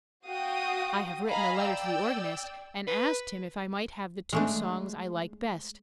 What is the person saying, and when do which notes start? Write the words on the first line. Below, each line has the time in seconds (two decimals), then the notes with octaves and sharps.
I have written a letter to the organist, and asked him if I might have the two songs I like best.
0.27 F#4 F5 G5 D#6
1.28 D#5 F5 G#5 A#5 B5
1.61 D5 G5 E6
2.87 B4
4.33 G#3 A3 D4